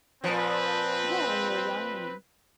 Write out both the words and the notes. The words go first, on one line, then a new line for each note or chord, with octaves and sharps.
Yeah, when you were young, and
A#2 F3 C4 B4